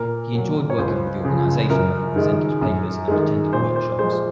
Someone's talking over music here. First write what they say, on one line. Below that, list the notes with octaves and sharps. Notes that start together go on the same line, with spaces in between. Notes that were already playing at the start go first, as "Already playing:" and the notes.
He enjoyed working with the organization where he presented papers and attended workshops.
Already playing: A#2 A#4
F#3 A#3
C#5
C#2 C5
C#3 F3
F#2 A#4
D#3 G#3
F#2
D#3 G#3
A#2 C5
C5
F3 G#3 C5
C5